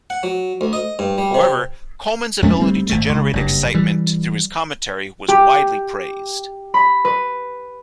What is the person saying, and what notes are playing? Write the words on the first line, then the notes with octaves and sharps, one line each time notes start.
However, Coleman's ability to generate excitement through his commentary was widely praised.
F#5
F#3
D2
D#5
G2
G3
C3
F2 G#3 A3 C#4
D2 G3 A3 C4
G#1 A3
C#2
F#1 G2
E3 G3
G4
B5
B4